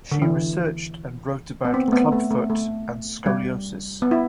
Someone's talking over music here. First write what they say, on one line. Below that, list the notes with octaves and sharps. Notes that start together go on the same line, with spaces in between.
She researched and wrote about clubfoot and scoliosis.
D3
E3
B3
C4
A3
B3
A3
A3
A3
G3
B3
E4